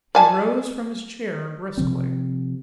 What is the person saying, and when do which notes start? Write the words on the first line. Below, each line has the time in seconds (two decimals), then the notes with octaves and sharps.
He rose from his chair brusquely.
0.15 D5 G#5 A5
1.77 C3 F3 C4